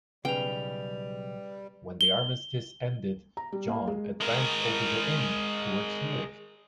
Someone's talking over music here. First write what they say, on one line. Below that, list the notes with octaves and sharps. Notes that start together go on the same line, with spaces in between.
When the armistice ended, John advanced over the Inn towards Munich.
B1 C#3 G3 B4 G5 F7
G7
A#5
G3
A#3
G#3
G#3 A#4